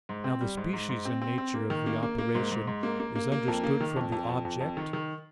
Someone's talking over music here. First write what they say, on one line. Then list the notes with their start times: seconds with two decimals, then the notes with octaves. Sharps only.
Now the species and nature of the operation is understood from the object.
0.09 G#2
0.24 C4
0.41 G3
0.57 G#2
0.73 G#2
0.89 G#2
1.05 C4
1.22 C4
1.38 C4
1.54 A#3
1.70 D#3
1.86 A#3
2.03 A#3
2.18 A#3
2.35 G#2
2.51 G#2
2.67 G#2
2.83 A#3
3.00 A#3
3.16 A#3
3.32 A#3
3.48 F2
3.64 A#3
3.81 D#3
3.96 F2
4.12 F2
4.29 F2
4.45 F2
4.60 F2
4.77 D#3
4.93 D#3